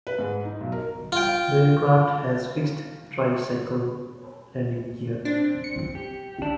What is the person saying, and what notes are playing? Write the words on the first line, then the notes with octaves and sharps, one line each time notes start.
The aircraft has fixed tricycle landing gear.
B4
G#2
D#4
B1
A#4
F4 G5
C4 D4
C#7
G4
D4 E4